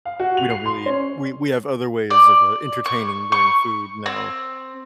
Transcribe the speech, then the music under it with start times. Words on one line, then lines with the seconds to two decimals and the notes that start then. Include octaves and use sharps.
we don't really we we have other ways of, uh, entertaining during food now
0.05 F5
0.20 F#4
0.37 F7
0.50 C7
0.66 C6
0.86 C#4
2.10 D5
2.86 C#6
3.32 C#6
4.06 C4